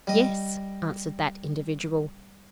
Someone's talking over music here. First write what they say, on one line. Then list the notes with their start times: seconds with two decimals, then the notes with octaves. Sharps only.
"Yes," answered that individual.
0.07 G3 D#5